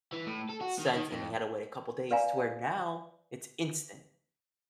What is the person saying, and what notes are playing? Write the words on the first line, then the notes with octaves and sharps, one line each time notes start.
sent and you had to wait a couple days to where now it's instant.
E3
A2
A4
F#4
D#3
D#3
F2
B4 D5 F5 G#5 A#5